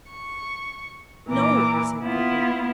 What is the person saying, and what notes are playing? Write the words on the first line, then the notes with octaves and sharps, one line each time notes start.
"No!" he said, quickly.
C#6
A#2 E3 A#4 D6
B3 E4 F4